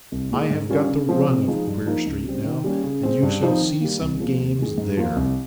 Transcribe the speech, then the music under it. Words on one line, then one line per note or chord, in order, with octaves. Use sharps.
I have got the run of Queer Street now, and you shall see some games there.
C2
A#2 G#3 D#4
G#2
G3 C#4 F4 A#4
C#3
F3 G#3 C4
C3
F3 G#3 D#4
G2
F3 A#3 D#4 A#4
C#2
C#3 G3 C4
D#3
G3 A#3 C#4
C#3
G#3 C4
G2
F3 C4 D#4
D#3
G3 A#3
C2
A#2 F3 G#3
D#2
D#3 G#3
G#2
F3 A#3 F4
C2